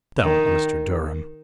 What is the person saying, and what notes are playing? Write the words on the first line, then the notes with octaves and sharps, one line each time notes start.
"Don't, Mr. Durham!"
D#3